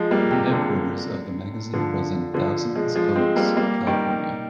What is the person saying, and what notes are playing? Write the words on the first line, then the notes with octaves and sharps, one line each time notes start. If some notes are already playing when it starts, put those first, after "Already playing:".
The headquarters of the magazine was in Thousands Oaks, California.
Already playing: F3 G#3
G3 A#3
C3
D3
D3 F3
D3
D3 F3
F3 G#3
F3 G#3
G#3 C4
G3 A#3
G3 A#3
D#3 G3